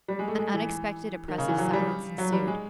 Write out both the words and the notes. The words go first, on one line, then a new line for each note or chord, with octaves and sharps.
An unexpected, oppressive silence ensued.
G3
G#3
A3
G#3
E3
D#3
C#3
E3
F#3
G3
F#3
G3
G#3